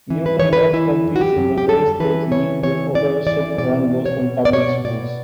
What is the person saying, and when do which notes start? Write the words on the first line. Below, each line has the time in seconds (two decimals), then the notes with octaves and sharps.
Newton North competes in the Bay State League with other suburban Boston public schools.
0.10 E3
0.26 B4
0.39 E3 C#5
0.53 B4
0.73 E3 E4
1.05 F#2
1.16 F#4
1.21 G4
1.37 F#2
1.58 G4
1.68 G3 A4
2.00 E3 B4
2.31 C#3 C#5
2.63 E3 C#5
2.95 E3 D5
3.27 E3 D5
3.58 B2 D5
3.90 B2
4.06 C#5
4.21 B2
4.45 D5
4.53 B2 C#5
4.85 B2 D5